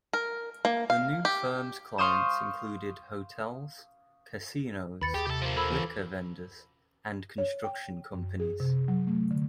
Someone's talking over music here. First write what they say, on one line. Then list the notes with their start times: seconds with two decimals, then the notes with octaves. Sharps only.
The new firm's clients included hotels, casinos, liquor vendors, and construction companies.
0.13 A#4
0.65 A#3
0.90 F5
1.25 G4
1.98 F5 C6 C#6 D#6 G6 E7
5.01 D#2 D#3 B4 B5 A6 C#7
5.15 D#2 G4 G#4
5.27 C3 G4 A4
5.42 F3 A#3
5.57 A4 B5 E6 G#6
5.69 E3
7.38 C#5
7.64 G5
8.13 F#2
8.40 G#4
8.60 C3
8.88 F#3
9.07 A3
9.31 D3